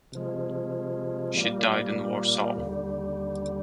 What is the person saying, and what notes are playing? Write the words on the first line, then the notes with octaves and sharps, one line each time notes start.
She died in Warsaw.
C3 F3 G#3
A#2 G3 A#3
D#2 D3 G3